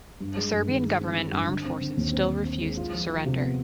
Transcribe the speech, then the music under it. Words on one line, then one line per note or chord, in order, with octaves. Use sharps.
The Serbian government and armed forces still refused to surrender.
G2
G#3
G2
D#3
G#3
C4
C4
G2
D3
C4
D3
D#2
C4
C4
C4
G#3
F4
F3
F3
C3
B3